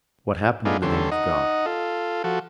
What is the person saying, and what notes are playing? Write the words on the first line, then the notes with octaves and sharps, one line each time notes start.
What happened in the name of God?
A3 B3 D4 D#4 F4 G#4
E2 D3 G3 C#4 A4 C6
D#4 D#5 F#5
F4 A4
F3 F#4 A4